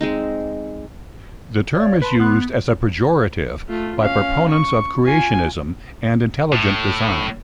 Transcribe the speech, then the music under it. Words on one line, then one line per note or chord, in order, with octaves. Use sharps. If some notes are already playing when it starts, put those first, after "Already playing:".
The term is used as a pejorative by proponents of creationism and intelligent design.
G#3 C4 D#4
C#5 D5 F5
B4 A5 B5 C6
B3 C6 F#6
A3 F4
C#4 F5
C#6
F4 G#5
A2